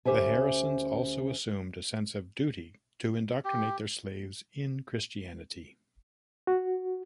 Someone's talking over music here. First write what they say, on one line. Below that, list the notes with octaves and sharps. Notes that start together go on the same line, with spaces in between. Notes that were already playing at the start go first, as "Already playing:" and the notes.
The Harrisons also assumed a sense of duty to indoctrinate their slaves in Christianity.
D2 C#4 G4 C5 E5 G#5
G4
F#4